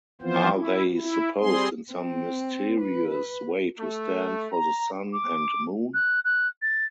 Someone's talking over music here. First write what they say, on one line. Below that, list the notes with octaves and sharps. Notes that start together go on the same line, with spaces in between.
Are they supposed in some mysterious way to stand for the sun and moon?
E3 F3 B3 C4 F4 C5
E4
E4
G3 C4 G#4 C6
C4
B4
A3
A#5
D6
F#6
F#6
A6